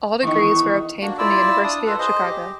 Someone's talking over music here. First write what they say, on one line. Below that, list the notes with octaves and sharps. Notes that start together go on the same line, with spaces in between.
All degrees were obtained from the University of Chicago.
E2 D#3 C#6
A#3 D4 F#4
E4 F4 D5 E6
D4 D#6
F4 A4 B4
G#4 C5 D#5
G4